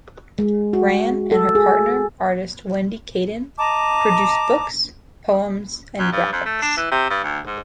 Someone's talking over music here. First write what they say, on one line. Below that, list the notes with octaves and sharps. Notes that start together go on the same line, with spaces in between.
Grahn and her partner, artist Wendy Cadden, produced books, poems, and graphics.
G#3
F#4
A4
G#4
D#5 A5 A#5 D6
F#2
G2
F2
A3
D4
E3
C3
G2
D2
G#2